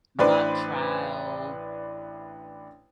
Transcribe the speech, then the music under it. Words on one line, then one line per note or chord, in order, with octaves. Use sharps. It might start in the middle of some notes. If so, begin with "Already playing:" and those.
mock trial,
A1 D4 E4 B4 C5 D5